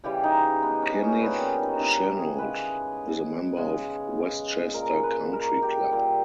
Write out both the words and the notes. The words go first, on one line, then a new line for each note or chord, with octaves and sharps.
Kenneth Chenault is a member of Westchester Country Club.
C#3 E3 G3 G4
D#4
B3
C#4
C#4
A#2 G3 B3
C#4
D#4
D#4
E4
G4
G#4
C#3 G#3 B4
C#3 G#3
A#2 G#3 A#4
B4
A#4
G4
A#2 G3